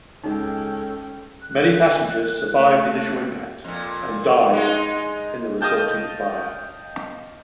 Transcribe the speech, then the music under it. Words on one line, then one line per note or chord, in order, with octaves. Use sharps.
Many passengers survived the initial impact and died in the resulting fire.
C#2 G#3 C#4 D#4 A4 G5
F#6
A3
F2 A#2
G#3 D#4
D#5 F5 G5 A5